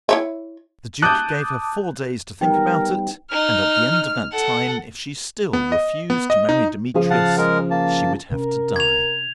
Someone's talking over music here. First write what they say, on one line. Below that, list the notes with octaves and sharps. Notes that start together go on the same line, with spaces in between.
The Duke gave her four days to think about it, and, at the end of that time, if she still refused to marry Demetrius, she would have to die.
E4 C#5 E5
A5 D6 D#6 F#6 G6
G3 B3 D#4 A#4 G5
D#4 F6
A4 F#5
B3
D#5
B3
D#5
D#4
C#3 F3 G#4
F5 F#5 A5
G#3 A#4
A#3 A5
C3 C#4 A#4
G#6 F7